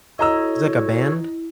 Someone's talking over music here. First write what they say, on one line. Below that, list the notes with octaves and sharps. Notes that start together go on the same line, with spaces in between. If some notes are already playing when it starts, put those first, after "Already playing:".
It's, like, a band?
E4 F#4 A4 C#5 D#5 A#5 E6